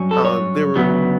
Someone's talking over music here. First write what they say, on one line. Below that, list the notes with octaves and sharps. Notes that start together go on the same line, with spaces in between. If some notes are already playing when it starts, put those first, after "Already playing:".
um, there were
Already playing: G2 F#3 C#4
A4
C#5
D2 C#3 F#3 B3